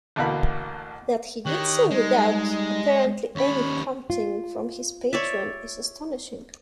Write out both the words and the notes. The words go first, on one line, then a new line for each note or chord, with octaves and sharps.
That he did so without, apparently, any prompting from his patron is astonishing.
A1 D2 B2 A#3 B5
D#3 G4 C#5 F#6
G3 G#3 D#4
D#2 C#4 C#5 B5
F4
C#5 D5 E5